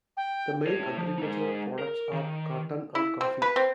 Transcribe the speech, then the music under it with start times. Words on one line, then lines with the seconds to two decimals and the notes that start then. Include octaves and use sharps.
The main agricultural products are cotton and coffee.
0.17 G5
0.67 A2 C#5
0.98 F3
1.18 G#3 D#4
1.79 A#4
2.13 D#3
2.95 E4
3.21 C4
3.42 B4
3.56 C4